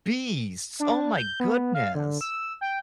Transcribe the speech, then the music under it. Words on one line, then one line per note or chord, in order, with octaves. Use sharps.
beasts. Oh my goodness.
D4
G6
B3
F5
D3
E6
G5